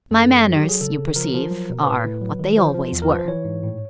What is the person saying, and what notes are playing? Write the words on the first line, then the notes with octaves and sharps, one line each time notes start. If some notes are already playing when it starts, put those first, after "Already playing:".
"My manners, you perceive, are what they always were."
F#2 A4
F#2
F#3
G4
F#3
G#4
C#3 A4
C#3
F3 A#4
F3
F#3
B2
C5
A2 B4
A2
F#3
D#3
F3 C5
F3
E2
A#4
F3 B4
C5
E3 C#5
G#2
A2